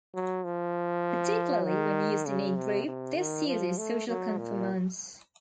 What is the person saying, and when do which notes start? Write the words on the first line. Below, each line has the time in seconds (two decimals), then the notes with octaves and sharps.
Particularly when used in a group, this uses social conformance.
0.15 F#3
0.44 F3
1.65 D#3
2.27 C#3
2.56 C3
2.86 C3
3.17 D#3
3.47 F3
3.78 A3
4.08 F#3
4.38 A#2